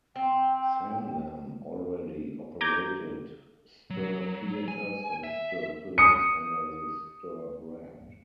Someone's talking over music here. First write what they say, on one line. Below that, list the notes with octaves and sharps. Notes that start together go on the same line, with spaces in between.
Sanlam already operated Ster Theatres and Ster Films under the Ster brand.
C4 G5
A#5 D6 G6 G#6
F#3
G#5
E5
D#6 C#7